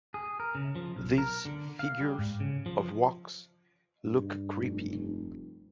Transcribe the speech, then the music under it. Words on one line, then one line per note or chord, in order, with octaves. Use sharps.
These figures of wax look creepy.
G#4
A#4
C#3
F3
B1
A#4
D3
F5
G3
G#2
C#3
F3
G2
F1